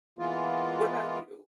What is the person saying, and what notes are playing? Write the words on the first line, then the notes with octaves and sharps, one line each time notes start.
What about you?
E3 G#3 A#3 B3 F4